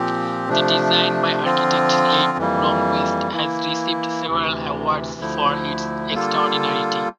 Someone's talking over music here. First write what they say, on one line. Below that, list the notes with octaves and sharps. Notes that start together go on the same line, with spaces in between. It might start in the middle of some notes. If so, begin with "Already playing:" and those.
The design, by architect Leif Blomquist, has received several awards for its extraordinarity.
Already playing: A#2 F3 C4 G4
C3 F3 A3 D4
D3 F3 C4 F4
F2 E3 G3 A#3
E3 A#3 E4
D2 C3 E3
D2 D3 F3 A3 E4
D3 G3 A#3 F4 A4